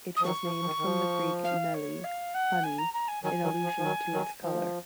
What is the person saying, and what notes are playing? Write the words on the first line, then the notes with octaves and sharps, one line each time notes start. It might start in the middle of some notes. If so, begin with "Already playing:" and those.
It was named from the Greek "meli" "honey", in allusion to its color.
D#6
F3
D#3 F#3 C#6
F3
F3
D#3
D#3
F3
F5
C#5
F5
F#5
G#5
A#5
A#5
G#5
D#3 F#3 G#5
D#3 F#3
F3
F3
D#3 F#3
D#3 F#3
F3